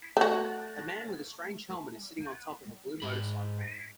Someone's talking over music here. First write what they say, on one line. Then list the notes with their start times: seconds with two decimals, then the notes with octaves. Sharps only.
A man with a strange helmet is sitting on top of a blue motorcycle.
0.17 A3 F#4
3.02 G#2 B5